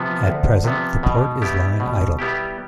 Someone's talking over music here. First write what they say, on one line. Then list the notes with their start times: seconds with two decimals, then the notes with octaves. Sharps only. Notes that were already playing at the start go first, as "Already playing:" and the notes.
At present, the port is lying idle.
Already playing: C3 F3 B3
0.26 D2
0.64 C3 F3 B3
1.03 B2
1.42 G3 B3 E4 G4
1.80 B2
2.19 G3 B3 E4 G4